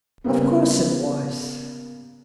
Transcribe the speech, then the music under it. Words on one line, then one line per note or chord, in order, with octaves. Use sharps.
"Of course it was!"
C#3 G3 A#3 B3